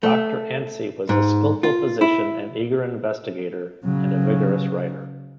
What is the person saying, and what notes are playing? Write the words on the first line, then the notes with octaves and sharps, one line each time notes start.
Doctor Anstie was a skilful physician, an eager investigator, and a vigorous writer.
A3
G#2
F4
E4
C#3 F#3